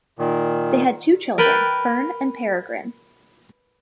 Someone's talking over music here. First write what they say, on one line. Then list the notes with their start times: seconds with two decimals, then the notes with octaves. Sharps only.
They had two children, Fern and Peregrine.
0.19 A#2 D#3
1.38 A#4 B4 G5 A5 B5